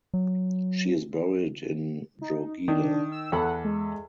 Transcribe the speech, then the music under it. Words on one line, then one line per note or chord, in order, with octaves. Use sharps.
She is buried in Drogheda.
F#3
D#4
D#3 D4
E6
E2 A4 F#5 B5
G#3